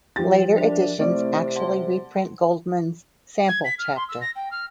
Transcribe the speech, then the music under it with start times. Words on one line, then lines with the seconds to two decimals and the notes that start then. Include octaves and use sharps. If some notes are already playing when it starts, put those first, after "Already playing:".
Later editions actually reprint Goldman's "sample chapter".
0.16 F3 G4 A6
0.57 D4 A#4 E5
0.99 C3 A3 C4 E4 D5
1.56 F#5 A5 C6
3.48 G#6
3.65 B6
3.79 F6
3.96 C6
4.09 E6
4.21 A#6
4.36 G5
4.51 F6